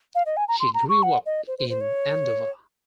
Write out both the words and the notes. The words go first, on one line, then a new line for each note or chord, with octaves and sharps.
She grew up in Andover.
F5
D#5
G#5
A#5
C6
A#5
C#6
F#5
D#5
C5
C5
C5
C#5